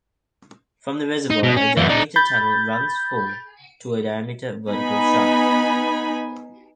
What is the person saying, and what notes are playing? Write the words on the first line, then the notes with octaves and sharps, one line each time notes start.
From the reservoir, a diameter tunnel runs for to a diameter vertical shaft.
D#4
B2
C#4
F#2 E3
D#4 D5
B5 G6 A6
B3 D#4 G#5 B5